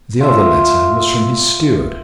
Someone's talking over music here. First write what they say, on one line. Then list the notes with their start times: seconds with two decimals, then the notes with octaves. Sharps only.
The other letter was from his steward.
0.21 F4 E5